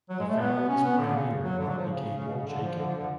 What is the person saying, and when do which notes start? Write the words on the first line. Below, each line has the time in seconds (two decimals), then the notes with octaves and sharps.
These families pioneered what became Jakin.
0.09 F#3
0.19 G#3
0.29 A3
0.39 B3
0.68 C#4
0.84 B3
0.98 D3
1.14 C#3
1.43 F#3
1.59 D3
1.68 F#3
1.78 F3
1.88 C#3
2.18 C#3
2.28 B2
2.38 C#3
2.47 D3
2.62 F3
2.78 D3
2.87 F3
2.97 D3